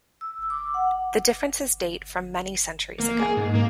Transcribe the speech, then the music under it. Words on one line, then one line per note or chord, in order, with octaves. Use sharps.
The differences date from many centuries ago.
E6
D6
F#5
A#3
G#4
G#2
A#3